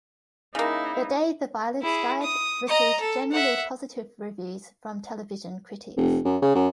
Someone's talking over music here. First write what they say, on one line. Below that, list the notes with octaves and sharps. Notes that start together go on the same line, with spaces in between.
"The Day the Violence Died" received generally positive reviews from television critics.
C#3 A#3 D#4 E4
E4 G#4
D#6
D#5 A#5
A4
E5 F#5
F1
F#2
C#3
F#2